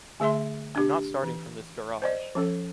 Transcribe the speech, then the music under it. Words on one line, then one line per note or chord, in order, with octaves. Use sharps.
I’m not starting from this garage.
D3 A3 G#4 E5 C6
D4 G4
E3
C5 D5 D#5
F3 C#4 A4